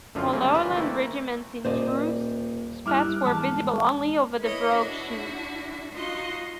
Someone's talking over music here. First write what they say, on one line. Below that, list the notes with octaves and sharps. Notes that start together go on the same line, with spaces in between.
For Lowland regiments in trews, spats were visible only over the brogue shoes.
F#2 D3 F3 C#4 F4
C#3 G3 A3 A#3 C4
E3 B4 D5 E5
A3 A#3 C4 E4
D#1 C5 D5 D#5
G2 E4 D6 F6 F#6
E2 G#2 A5
E4 B4 C#5 D#5
D4 E4 F#4
D#4 F4 F#4 D#5 C6